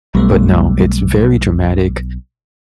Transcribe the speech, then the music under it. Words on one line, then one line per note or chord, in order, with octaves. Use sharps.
But, no, it's very dramatic,
B1 G3 A3 B3